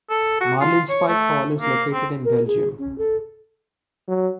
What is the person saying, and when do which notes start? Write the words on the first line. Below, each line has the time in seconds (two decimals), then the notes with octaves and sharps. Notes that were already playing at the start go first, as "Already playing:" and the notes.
Marlinspike Hall is located in Belgium.
0.10 A4
0.40 F#4
0.61 F4
0.89 C#5
1.08 A3
1.61 A#3
1.93 C4
2.25 A#4
2.47 G#4
2.79 C#4
2.98 A4
4.08 F#3